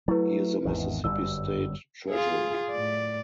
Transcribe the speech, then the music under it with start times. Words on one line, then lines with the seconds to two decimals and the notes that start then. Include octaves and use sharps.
He is the Mississippi State Treasurer.
0.08 F#3 A3 E4 B4
0.65 G#1 E2 D#3
1.04 G1 F#2 G3 E6
2.10 F4 G#4
2.71 A2 D5